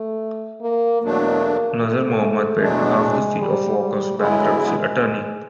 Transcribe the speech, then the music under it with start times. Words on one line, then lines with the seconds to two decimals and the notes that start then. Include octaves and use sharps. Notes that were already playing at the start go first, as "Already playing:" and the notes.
Nazr Mohammed paid half the fee of Walker's bankruptcy attorney.
Already playing: A3
0.62 A#3
1.02 E2 B2 F#3 A3 A#3 D4
1.81 A3
2.21 A3
2.60 E2 B2 F#3 G#3 A3 D4
3.00 G#3
3.39 G3
3.79 G3
4.19 D3 F#3 G#3 B3 E4
4.58 G#3
4.99 G#3